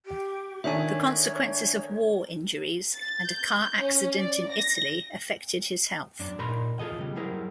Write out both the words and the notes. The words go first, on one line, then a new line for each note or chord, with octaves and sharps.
The consequences of war injuries and a car accident in Italy affected his health.
G4
D3 D#3 D4 C#5 E5 G#5
A6
G6
C#4
D5
A#6
F#2 D4
A#2 D#4 A#4 C#5 B5 C6
F4 G#4 A4 D#5
C#3 G3
F#3 G3 E4 G#4 A#4 C5